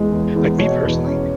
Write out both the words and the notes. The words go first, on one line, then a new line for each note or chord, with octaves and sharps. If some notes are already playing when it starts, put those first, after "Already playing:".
like me personally,
Already playing: E2 G#3
E2
E2
B2 C#5
E2
C#4